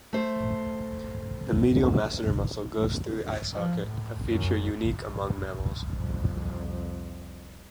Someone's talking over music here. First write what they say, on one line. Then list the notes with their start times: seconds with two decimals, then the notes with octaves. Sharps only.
The medial masseter muscle goes through the eye socket, a feature unique among mammals.
0.13 A3 C5
3.52 F3
3.82 A2
4.28 F#2
5.89 C2 F2